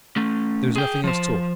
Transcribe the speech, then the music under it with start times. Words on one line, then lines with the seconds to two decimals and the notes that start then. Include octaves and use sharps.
There is nothing else taught.
0.16 A3 C#4
0.75 G#4 G5
1.04 F3 C5